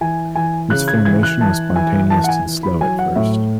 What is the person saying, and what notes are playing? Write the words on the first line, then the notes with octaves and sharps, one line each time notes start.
Its formation was spontaneous and slow at first.
E3 G#5
E3 G#5
C#3 F#6
G#6
E3 G#6
F#6
E3 A5
E3 G#5
E3 A5
F#5
G#5
E3
B5
F#3 G#5
F#5
A2 E5